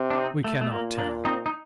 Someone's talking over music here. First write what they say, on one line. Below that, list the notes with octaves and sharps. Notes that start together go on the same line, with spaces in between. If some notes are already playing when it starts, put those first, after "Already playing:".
We cannot tell.
Already playing: C3
D4
C4 D#4
A3
A3
A#2 A#3
A#3 D4
C4 D#4
D#4